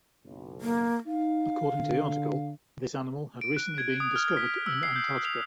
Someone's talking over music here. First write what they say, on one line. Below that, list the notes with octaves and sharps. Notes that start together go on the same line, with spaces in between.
According to the article, this animal had recently been discovered in Antarctica.
F#1 B1
A#3
D#4 F5
D3
D7
F#6
G#6
D#6
F6
B6
E6
C7
G6
F7